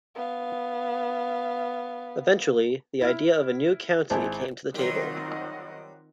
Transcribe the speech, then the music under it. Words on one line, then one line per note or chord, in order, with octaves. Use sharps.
Eventually, the idea of a new county came to the table.
B3 F5
E4 F6
G#1 E4 G#4 C5 A5
D#3 F#3 G3 C4 F4 D#5 F#5